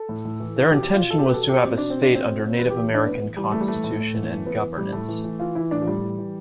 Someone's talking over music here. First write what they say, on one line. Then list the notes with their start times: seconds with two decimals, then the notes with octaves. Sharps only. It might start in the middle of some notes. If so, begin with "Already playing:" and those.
Their intention was to have a state under Native American constitution and governance.
Already playing: A4
0.09 A2
0.25 A2
0.40 E3
0.56 E3
0.71 B2 G4
0.87 B2
0.94 F4
1.02 B2
1.10 A4
1.18 B2 G4
1.26 B4
1.34 B2 A4
1.49 B2 G4
1.65 B2 C4
1.78 B2 D4
1.90 C4
1.96 B2
2.02 D4
2.12 B2 C4
2.27 B2
2.43 B2
2.58 E3 B4
2.70 E3 G4
2.90 A2 D4
3.05 A2 B3
3.21 E3
3.36 E3 G3
3.52 E3 A3
3.60 G3
3.68 E3 A3
3.84 A2
4.00 A2
4.14 E3
4.30 E3
4.46 E3 B3
4.61 E3
4.77 A2 G3
4.92 A2 A3
5.08 E3
5.24 E3
5.40 E3 F4
5.55 E3 E4
5.71 A2 D4
5.82 F3
5.86 A2 G3
6.02 E3
6.18 E3